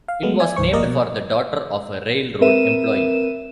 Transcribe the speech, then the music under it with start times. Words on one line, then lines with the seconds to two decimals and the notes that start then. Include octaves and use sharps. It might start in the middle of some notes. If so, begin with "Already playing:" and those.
It was named for the daughter of a railroad employee.
0.08 F5
0.23 F#3 G#3 A3 B3
0.40 D5 E5 G#5
0.56 C2 G2 C5 C#6
0.73 G1 A#3 A#4 D5 D#5
0.85 B2
2.41 C4 A#4 B4 E5 D#7 E7